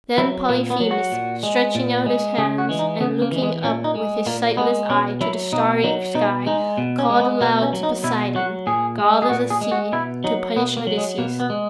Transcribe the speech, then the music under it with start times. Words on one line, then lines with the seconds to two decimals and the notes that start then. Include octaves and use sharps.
Then Polyphemus, stretching out his hands, and looking up with his sightless eye to the starry sky, called aloud to Poseidon, god of the sea, to punish Odysseus.
0.18 F#3 E4
0.49 A#2 A#3
0.70 B3
0.80 F#3
0.91 F#4
1.12 A#2
1.43 G#3
1.75 A#2
2.06 G#3
2.38 C#3 G#4
2.58 F#4
2.69 E3 G#3
2.79 D#4
3.00 C#3 B3
3.22 A#3
3.32 E3 G#3
3.43 G#3
3.63 A#2 C#4
3.84 D#4
3.95 G#3
4.26 A#2 A#3
4.57 G#3 B3
4.90 B2 C#4
5.21 F#3 E4
5.52 B2 D#4
5.84 F#3 D#4
6.15 B2 D#4
6.46 G#3 D#4
6.77 B2
6.99 C#4
7.10 G#3
7.20 B3
7.41 B2 B3
7.62 C#4
7.73 F#3
7.83 D#4
8.04 B2 E4
8.35 F#3 F#4
8.67 A#2 G#4
8.98 G#3
9.22 G#4
9.29 A#2 F#4
9.50 G#4
9.61 G#3
9.72 F#4
9.92 B2 E4
10.24 F#3 D#4
10.56 B2 B3
10.77 A#3
10.87 F#3
10.98 G#3
11.18 B2 A#3
11.40 B3
11.50 G#3